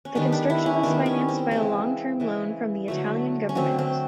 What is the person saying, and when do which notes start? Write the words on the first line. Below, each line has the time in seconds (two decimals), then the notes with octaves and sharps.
The construction was financed by a long term loan from the Italian government.
0.05 C#4
0.15 D#3 G3 B3 D4
0.32 D4
0.50 E4
0.66 C#4
0.83 D#3 G3 B3 D4
1.06 C#4
1.29 C4
1.51 C#3 E3 G#3 C4
2.20 C#3 E3 G#3
2.88 D3 F#3 A3
3.49 C#4
3.55 D3 F#3 A3 C4
3.79 C4